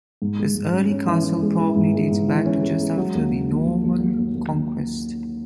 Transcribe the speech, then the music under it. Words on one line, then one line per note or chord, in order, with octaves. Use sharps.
This early castle probably dates back to just after the Norman Conquest.
G#2
G#3
G#2
C#4
C#4
E3
E3
G#3
E3
G#2
G#3
G#2
E3
C#4
G#3
G#3
F#3
D#2
D#2
D#2
F#3
D#2
F#3
D#2
D#2
D#2